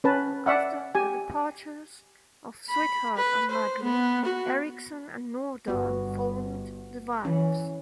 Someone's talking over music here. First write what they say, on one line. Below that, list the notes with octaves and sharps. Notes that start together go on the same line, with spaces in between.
After the departures of Sweetheart and Magri, Ericson and Nordahl formed The Vibes.
C#4 B4 A5
D5 E5 F#5
G4 G#5
B5
B4
C5
B3
F#4
G1 B3 F#4
E3 C#4